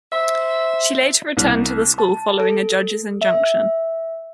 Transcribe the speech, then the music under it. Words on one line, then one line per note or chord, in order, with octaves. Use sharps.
She later returned to the school following a judge's injunction.
C5 E5
C2
A5
A4
E5